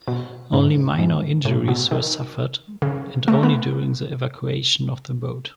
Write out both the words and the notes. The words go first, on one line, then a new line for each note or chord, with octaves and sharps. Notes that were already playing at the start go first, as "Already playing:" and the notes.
Only minor injuries were suffered and only during the evacuation of the boat.
B2
G#2
G#2
A2
B2
D#3
C#3
A3
B3